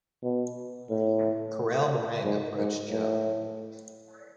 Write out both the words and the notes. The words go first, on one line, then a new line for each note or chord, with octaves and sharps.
Karel Marang approached Joh.
B2
A2
G#2
G#2
A2